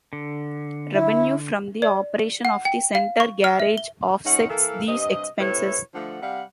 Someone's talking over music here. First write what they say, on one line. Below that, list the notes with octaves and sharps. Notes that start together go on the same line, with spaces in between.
Revenue from the operation of The Center garage offsets these expenses.
D3
E4
D5
F#5
G5
F5
C#6
F6
E5
G7
G#3 C#4 D#4 F#5
E3 A#3 A4 A#4 F5
G2 C3 D#5
A2 C3 E4 B4 C#5
D3 F3 A3 F#5
C3 G3 F5 F#5